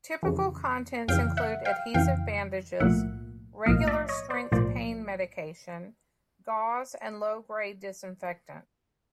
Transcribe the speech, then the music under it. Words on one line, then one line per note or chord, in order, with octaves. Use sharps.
Typical contents include adhesive bandages, regular strength pain medication, gauze and low grade disinfectant.
F2 C#3 E3
F2 C#3 E3 F5 G5
E5 F#5
F5 G5
F2 C#3 E3 F5 G5
B1 A2 F3 A#3 E5 F#5
B1 A2 F3 A#3 D#5 F5
D5 E5
C#5 D#5
C5 D5
B1 A2 F3 A#3 C5 D5